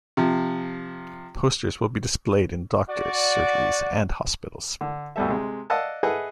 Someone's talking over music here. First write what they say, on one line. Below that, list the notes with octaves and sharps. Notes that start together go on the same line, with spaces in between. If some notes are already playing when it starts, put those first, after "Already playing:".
Posters will be displayed in doctors' surgeries and hospitals.
C3 F3
F#4 D5
D3
D2 B2 G3 A4 E5
C3 G#3
D5 D#5 F5 F#5 A5 E6
G#4 A4 B4 D#5 E5 F#5